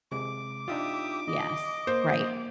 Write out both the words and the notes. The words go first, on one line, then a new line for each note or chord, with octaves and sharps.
Yes. Right.
C3 G#3 D6
D4 D#4 F4 G4 E5 D#6
D#5
A#3 C5